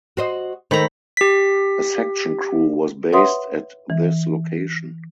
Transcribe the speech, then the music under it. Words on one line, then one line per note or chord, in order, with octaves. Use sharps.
A section crew was based at this location.
F#4 C5 D#5
D#3 A3 C5 A#5 B5 B6
G4 B6
B4 C#5 E5 F#5 C6 D#6
E3